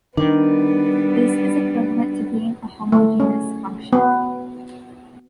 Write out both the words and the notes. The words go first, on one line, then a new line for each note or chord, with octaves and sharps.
This is equivalent to being a homogeneous function.
D#3 G3 B3 D4
A3
C#4
B3